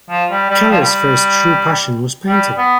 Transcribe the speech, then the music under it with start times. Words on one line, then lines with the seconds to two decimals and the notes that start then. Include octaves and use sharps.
Keller's first true passion was painting.
0.10 F3
0.31 G3
0.50 G3
0.71 F3
0.80 G3
2.28 G3
2.58 B3